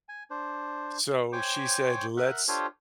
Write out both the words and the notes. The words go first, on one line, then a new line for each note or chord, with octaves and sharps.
So she said, "Lets"
G#5
D4 C5
C5 C#5 G5 G#5 C#6 D6
A#4 E5 F#5
D4 F4 G4 A4 C5 C#5